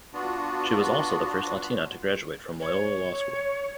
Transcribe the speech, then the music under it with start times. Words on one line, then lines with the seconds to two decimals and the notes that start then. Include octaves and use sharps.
She was also the first Latina to graduate from Loyola Law School.
0.14 B3 D4 F4 F#4
2.60 C#5